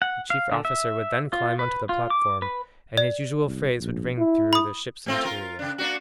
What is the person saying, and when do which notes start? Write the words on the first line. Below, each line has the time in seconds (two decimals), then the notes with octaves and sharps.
The chief officer would then climb onto the platform, and his usual phrase would ring through the ship's interior.
0.02 F#5
0.30 F5
0.51 D3
0.65 E5
1.33 F4
1.59 B4
1.89 F4
2.10 D6
2.42 B4
2.97 D5
3.46 C2
3.79 A#1
4.18 E4
4.53 B5 D#6
5.06 A3 C4 F4
5.25 F4 A#4
5.59 C#3 D4
5.78 A#3 D4 F#4